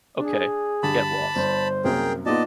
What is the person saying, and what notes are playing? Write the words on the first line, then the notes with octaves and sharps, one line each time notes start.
Ok, get lost.
D4 G#4
G2 D3 A5 B5
G1 C5
C2 F#2 A#3 G#4 A#4 G5
A#2 B3 D#4 F4 D5 D#5 A5